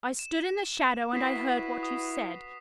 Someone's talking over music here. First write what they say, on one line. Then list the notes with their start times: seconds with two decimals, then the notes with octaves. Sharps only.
I stood in the shadow, and I heard what you said.
0.19 E7
1.13 E4 F#4 B4 D#6 B6 C7
1.83 D#6